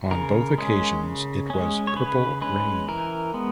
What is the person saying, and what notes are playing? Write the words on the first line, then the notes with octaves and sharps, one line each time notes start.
On both occasions it was "Purple Rain".
C#3 A#4
G#3 C#4
C#3
G#3 C#4
C#5
C#3 B4
G#3 C#4 B4
E3 A#4
G#3 B3